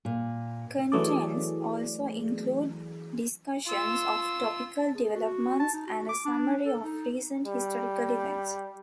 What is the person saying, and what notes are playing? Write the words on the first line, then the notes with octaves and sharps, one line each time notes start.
Contents also include discussions of topical developments and a summary of recent historical events.
A#2
E3 F#3 A3 G#4 D5
F4 E6
A5
G#4
F#4
A5
D#4
F#4
D6
D4
A4
D#4
G3